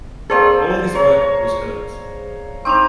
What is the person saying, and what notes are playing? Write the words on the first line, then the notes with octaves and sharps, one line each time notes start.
All his work was hers.
A#3 C4 G#4 A4 C5 D5
C#5 A#5
C4 D#4 C#6 D6 F7